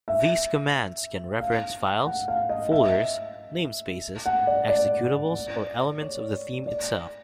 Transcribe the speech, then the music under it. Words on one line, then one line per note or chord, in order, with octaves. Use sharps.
These commands can reference files, folders, namespaces, executables, or elements of the theme itself.
E5
F5
F#5
F5
D#5
E5
F#5
D5
D5
C#5
D5